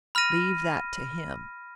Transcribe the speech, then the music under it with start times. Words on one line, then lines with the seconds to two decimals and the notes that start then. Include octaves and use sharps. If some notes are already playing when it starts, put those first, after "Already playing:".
"Leave that to him."
0.15 B5 F6 A#6 D#7